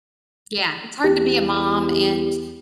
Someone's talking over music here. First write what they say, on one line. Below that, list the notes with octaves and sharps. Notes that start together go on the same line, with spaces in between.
Yeah, it's hard to be a mom and
E2 G4